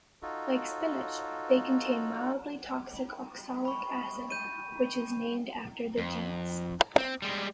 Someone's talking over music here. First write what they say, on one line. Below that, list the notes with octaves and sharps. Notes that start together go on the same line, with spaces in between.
Like spinach, they contain mildly toxic oxalic acid, which is named after the genus.
D#4 F4 F#4 A4
B5 C#6
G6 D#7
F2
C4
G3 G#3